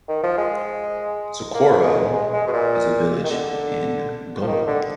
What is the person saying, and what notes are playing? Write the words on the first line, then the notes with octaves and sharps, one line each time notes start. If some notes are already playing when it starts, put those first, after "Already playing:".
Soccoro is a village in Goa.
D#3
F3
G#3
A#3
G#3
G#3
G#3
B2
A#2
D#3
D3
F3
D#3
D3